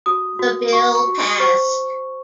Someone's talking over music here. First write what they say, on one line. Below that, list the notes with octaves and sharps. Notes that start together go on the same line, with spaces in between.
The bill passed.
F#4 D#6
F#4
F#4 C#6
C#6
F#4
C6
C5 C#6